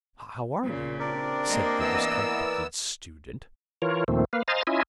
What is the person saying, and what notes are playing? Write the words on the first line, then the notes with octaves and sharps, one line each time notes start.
'How are you?' said the discomfited student.
A#2 C#3
C3 C4 D4 A#4 D5
A#3 D#5
E3 B3 E6
E3 F4 A#4 C#5
D#2 A#2 D#3 F3 A3 C4
A#3 B4 F5
C5 D#5 F5 G#5 A#5 A6
C#4 E4 F4 D#5 E5 G#5